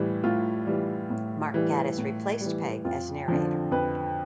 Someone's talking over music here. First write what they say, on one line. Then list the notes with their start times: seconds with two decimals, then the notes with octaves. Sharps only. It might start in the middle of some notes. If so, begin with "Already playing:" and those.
Mark Gatiss replaced Pegg as narrator.
Already playing: A2 E3 G3
0.24 A2 F4
0.67 E3 G3
1.10 A2
1.54 E3 G3
1.98 A2
2.41 E3 G3
2.85 F2 F4
3.28 D3 F3
3.71 F2 B4